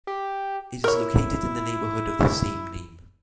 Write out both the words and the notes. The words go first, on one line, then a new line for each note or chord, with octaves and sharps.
It is located in the neighbourhood of the same name.
G4
E4 A#4 C#5